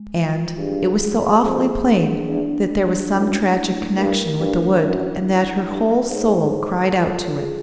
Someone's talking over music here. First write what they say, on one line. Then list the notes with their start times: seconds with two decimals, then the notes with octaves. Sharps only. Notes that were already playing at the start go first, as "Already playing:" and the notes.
And it was so awfully plain that there was some tragic connection with the Wood and that her whole soul cried out to it.
Already playing: G#3
0.16 F4
0.58 G2 G#4
1.00 G#4
1.43 F2 A#3
1.85 D4
2.28 E2 D4
2.70 D4
3.13 F#2 E4
3.55 A3
3.98 G2 A#4
4.40 G2 D4
4.82 F#2 E4
5.25 E4
5.67 G2 A4
6.10 G#2 C#5
6.53 A4
6.95 F4
7.38 G#4